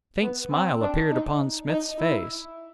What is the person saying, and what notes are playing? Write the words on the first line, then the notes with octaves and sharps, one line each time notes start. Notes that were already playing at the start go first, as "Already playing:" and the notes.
A faint smile appeared upon Smith's face.
B3
C4
D4
D#4
D#4
E4